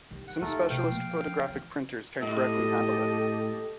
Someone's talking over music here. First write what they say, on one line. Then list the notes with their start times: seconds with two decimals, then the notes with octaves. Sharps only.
Some specialist photographic printers can correctly handle it.
0.11 D#3 G3
0.28 F#5
0.41 D#2 A3 A4 A#4
0.70 B2 F5 G5
0.88 F3 A#3
1.49 E3
2.22 A2 G4 A4 D#5